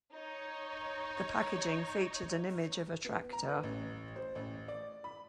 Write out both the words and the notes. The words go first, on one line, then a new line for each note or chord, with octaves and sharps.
The packaging featured an image of a tractor.
D#4 C#5
B3
A#5
B4
A1
C5
A1
D5
B5